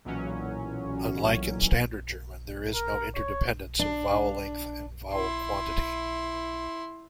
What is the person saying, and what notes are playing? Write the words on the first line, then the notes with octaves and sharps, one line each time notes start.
Unlike in standard German, there is no interdependence of vowel length and vowel quantity.
B1 A#2 E3 F#3 C#4
A#4
C#5
D4
E4 C6